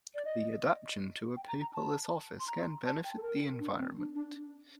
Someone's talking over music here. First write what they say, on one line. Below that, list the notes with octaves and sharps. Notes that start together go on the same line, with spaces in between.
The adaptation to a paperless office can benefit the environment.
D5
D#5
G5
A#5
A#5
A5
C6
A#5
A5
G5
A4
A#4
D4
C4
D4
D4